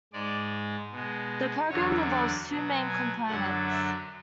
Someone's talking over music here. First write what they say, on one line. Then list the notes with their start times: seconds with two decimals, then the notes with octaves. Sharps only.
The program involves two main components.
0.13 G#2 G#3 D5
0.92 B2 G#3
1.70 E2 D3 F#3 C#5
2.09 D5
2.49 B2 F#3
2.89 G#5
3.28 F#2 D3 F#3 F#5
3.68 E5